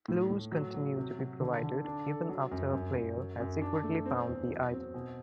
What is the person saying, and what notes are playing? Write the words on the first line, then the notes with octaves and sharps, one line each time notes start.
Clues continue to be provided even after a player has secretly found the idol.
A2
A2
F#3
F#3
C3
F#3
D3
D3
D4
A4
F#3
F#2
F#2
F#2
F#3
F#2
D4
A3
C4
E2
F#3
C4
B2